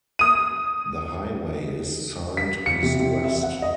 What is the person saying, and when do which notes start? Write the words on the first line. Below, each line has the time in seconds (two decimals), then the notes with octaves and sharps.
The highway is signed east-west.
0.19 D#6 D#7
2.37 B6
2.66 C#7
2.83 C3
2.99 C3
3.24 E5
3.43 F#5
3.62 D#5